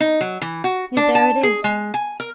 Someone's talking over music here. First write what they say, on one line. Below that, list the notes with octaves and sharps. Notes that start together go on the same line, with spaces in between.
Yet there it is.'
D#4
F#3
E3
F#4
D4
A5
G#4
G#3
G#5
A#4